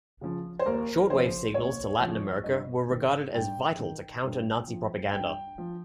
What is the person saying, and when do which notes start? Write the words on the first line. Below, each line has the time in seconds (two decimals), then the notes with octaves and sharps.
Shortwave signals to Latin America were regarded as vital to counter Nazi propaganda.
0.21 C#3 F3
0.59 C5
0.66 D#2 A#4
1.10 C#3 F3 C5
1.54 D#2 C#5
2.00 C#3 F3
2.44 G2 D#5
2.90 D#3
3.34 G2 G5
3.79 D#3
4.24 G2
4.68 F3
5.13 G2 G5
5.58 F3